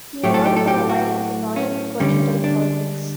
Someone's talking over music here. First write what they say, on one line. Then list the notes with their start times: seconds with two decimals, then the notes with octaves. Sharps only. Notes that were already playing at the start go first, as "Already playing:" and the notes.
He worked for a while as a lawyer before entering politics.
0.23 A2 F#3 A3 G4
0.34 A4
0.46 G4
0.57 A4
0.68 G4
0.89 F#4
1.56 C#4
2.00 D3 G3 C#4
2.44 D4